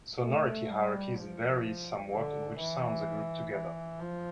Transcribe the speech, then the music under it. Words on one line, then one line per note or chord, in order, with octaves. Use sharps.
Sonority hierarchies vary somewhat in which sounds are grouped together.
A3
G3
F3
D3
E3
E3
F3